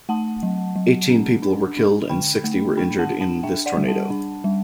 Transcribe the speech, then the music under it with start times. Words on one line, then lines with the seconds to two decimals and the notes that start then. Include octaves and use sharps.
Eighteen people were killed and sixty were injured in this tornado.
0.09 A3 F#5 A5
0.43 F#3
0.76 F#3
1.10 C#4
1.43 D4
1.77 D4
2.09 D3 G5 B5
2.44 A3
2.77 D4 G5 B5
2.99 F#5 A5
3.10 D4
3.21 F#5 A5
3.43 D4 E5 G5
3.66 D5 F#5
3.77 G3
3.88 F#5 A5
4.10 D4
4.44 G3